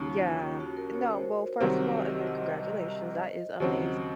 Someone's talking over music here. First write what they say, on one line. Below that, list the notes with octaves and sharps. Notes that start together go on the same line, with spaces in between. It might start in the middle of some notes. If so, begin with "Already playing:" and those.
Yeah. No. Well, first of all, again, congratulations. That is amazing.
Already playing: D#2 C#3 F#3 A#3 C#4 D#4
F4
F#4
A#4
C#5
C5
C2 C3 D#3 F#3 C4
D#5
D#5
D#5
D#2 C#3 F#3 C4